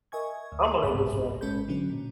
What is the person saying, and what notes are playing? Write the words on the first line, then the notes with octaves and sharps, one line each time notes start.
I'm a Lakers fan.
A#4 D#5 E5 G#5 C#6 G#6
D2
G1 C2 F2 G#2 B5
G#1 G#3 C#4 A4 B5 G6
B2 D3 F#3 C#4
A#2